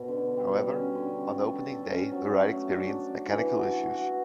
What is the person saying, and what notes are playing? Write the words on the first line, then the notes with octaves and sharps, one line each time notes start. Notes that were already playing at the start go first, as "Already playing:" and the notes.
However, on opening day, the ride experienced mechanical issues.
Already playing: B2
D3
G3
C#4
D3
A4
A4
C#4
F#3
A3
D4
D4
E3
F#4
F#4